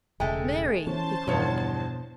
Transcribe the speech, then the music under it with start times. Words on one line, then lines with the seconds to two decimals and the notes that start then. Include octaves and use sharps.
"Mary!" he called.
0.20 E1 C#3 G#3 A3 G5
0.87 E3 C#4 C5 A5
1.27 G1 E2 B2 F3 C#5